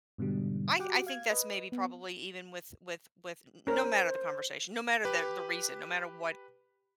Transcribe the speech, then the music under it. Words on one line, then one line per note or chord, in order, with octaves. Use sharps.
I I think that's maybe probably even with with with n n no matter the conversation, no matter the the reason, no matter what
G#2 B2 D3 G3
F#4 G4 F#5 G5 D6
F5 G#6
B4 D#5
B3
C#4 A#4 C5
G4 B4